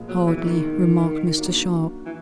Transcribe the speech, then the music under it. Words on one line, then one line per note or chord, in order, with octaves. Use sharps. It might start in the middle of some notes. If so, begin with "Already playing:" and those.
"Hardly," remarked Mr. Sharp.
Already playing: A#2 F3 G#3 B3
F#3
E3
E3
D#3
F#3 A#3 D4 F#4
E3